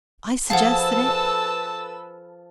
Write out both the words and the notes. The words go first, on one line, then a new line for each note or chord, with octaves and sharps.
I suggested it.
F3 G#4 A4 B4 F5 F#5 A5 E6